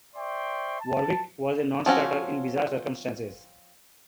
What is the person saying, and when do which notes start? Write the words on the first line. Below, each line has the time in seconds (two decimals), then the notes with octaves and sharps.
Warwick was a non-starter in bizarre circumstances.
0.16 C5 D5 E5 G5 C6 C#6
0.81 A5
1.86 F3 C4 C#4 F#4